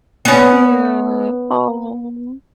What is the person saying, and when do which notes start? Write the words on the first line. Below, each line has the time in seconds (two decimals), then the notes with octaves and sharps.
Yeah, oh.
0.25 B3 C#4